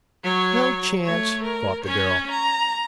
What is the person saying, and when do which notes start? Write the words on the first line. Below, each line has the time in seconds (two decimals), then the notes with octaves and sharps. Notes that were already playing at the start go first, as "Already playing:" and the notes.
"No chance," thought the girl.
0.24 F#3 C#5
1.04 A3 C#5
1.43 A#4
1.84 C#4 C#5
2.30 A#5